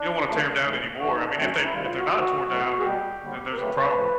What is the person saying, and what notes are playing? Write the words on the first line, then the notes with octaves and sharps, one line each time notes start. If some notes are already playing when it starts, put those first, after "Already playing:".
you don't wanna tear 'em down anymore. I mean, if they if they're not torn down, then then there's a problem.
Already playing: D4
F2 C#3 F3 A3
G#2 E3 A3
G2 E3 A3 F#4
D#4
D4
F#2 D#3 F#3 A3 C4
C#4
D#4
E4
D2 C3 D#3 G3 F4
F4
F#4
D2 C3 D#3 F#4
A2 F#3 A3
G#4
B2 G3 G4
D#2 D3 G3
A#4
D2 C#3 F#3 A3 B4
A2 F3 A3